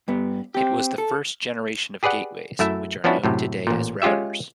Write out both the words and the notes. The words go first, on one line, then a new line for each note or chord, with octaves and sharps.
It was the first generation of gateways, which are known today as routers.
G2 B3
C4 G4
A4
G4 G#4 B4 D5 F#5
F#2 A3 E4 E5
F3 B3 C#4 D4 E4 F#4
F#2 A2 C3
A1 A#2
G#3 C#4 F4 G4 E5